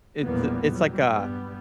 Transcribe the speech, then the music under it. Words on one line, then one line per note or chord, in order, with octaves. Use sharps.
It's it's like a
A#1 E2 A2 G3 A#3 B3
F#3 G3
G2 G3 B3